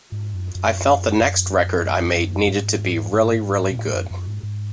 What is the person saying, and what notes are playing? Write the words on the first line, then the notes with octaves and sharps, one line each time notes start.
I felt the next record I made needed to be really, really good.
G#2
F#2
F#2
F#2
G#2
G#2
B2
A2
F#2
F#2
G#2
G#2